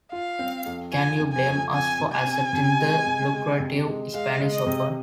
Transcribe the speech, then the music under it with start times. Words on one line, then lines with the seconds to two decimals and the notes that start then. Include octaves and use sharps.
Can you blame us for accepting the lucrative Spanish offer?
0.12 F4 F5
0.39 C4
0.66 F2
0.92 F4 G#5
1.19 F2
1.32 G#5
1.46 F2
1.72 C4 G#5
2.00 C3
2.12 G#5
2.26 C4
2.53 C3
2.80 G#3
3.06 C3
3.33 G#3
3.60 C3
3.86 G#3
4.14 G#3 F5
4.40 G#3
4.54 D#5
4.66 C3